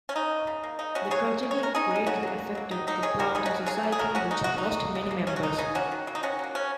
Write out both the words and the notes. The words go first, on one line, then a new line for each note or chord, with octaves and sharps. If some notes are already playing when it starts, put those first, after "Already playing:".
The tragedy greatly affected the planter society, which lost many members.
C#4
C#3 D#4
A#3
C#3
A#3
C#3 D#4
G#3 C#4 F#4
C#3 G#4 C#5
G#3
D#3
C#5
G#3 A#4
D#3 D#4 G#4
G#3
D#4
C#3 C#4 F#4
F#3 A#3
C#3
F#3 A#3
D#3 D#4
F#3 A#3 D#4
D#3 G#4 C#5
F#3 A#3 F#4 A#4
C#3 D#4 G#4
C#4 F#4
A#3
C#3 G#4 C#5
A#3
G#4
C#3 F#4 A#4
A#3 C#4 F#4
C#3 D#4
A#3 F#4
D#4
C#3
A#3
C#3
A#3
C#3 C#4
F#4
A#3 D#4
C#3 D#4 G#4
A#3 C#4 F#4
D#3
F#3 A#3
D#4
D#3 C#4 F#4
F#3 A#3
C#3 C#4